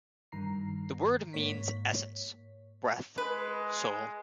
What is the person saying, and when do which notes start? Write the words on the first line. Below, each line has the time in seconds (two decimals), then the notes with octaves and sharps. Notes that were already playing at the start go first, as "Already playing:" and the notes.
The word means essence, breath, soul.
0.32 G2 D#3 A#5 C7
1.33 G#2 A#3 C#5 B6
3.18 G#3 B4